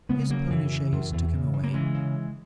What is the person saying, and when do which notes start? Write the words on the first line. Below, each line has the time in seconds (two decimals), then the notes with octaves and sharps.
His pony-chaise took him away.
0.09 C#3 G#3 B3
0.30 C#3 F#3 A#3
0.50 F#2 E3
0.71 C#3
0.92 F#2
1.12 E2
1.33 C#3
1.53 C#3
1.63 A#3
1.74 C#3 E3 G#3
1.94 C#3